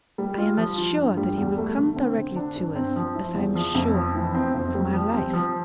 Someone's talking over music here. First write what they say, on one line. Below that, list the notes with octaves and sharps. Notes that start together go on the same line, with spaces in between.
I am as sure that he will come directly to us, as I am sure of my life.
G3
F4
F3
F4
G2
G3
E2
A3
D3
C4
D3
D4
G2
C4
F3
E4
E2
F3
F2
F3
E3
C4
F2
G3
F3
C4
F3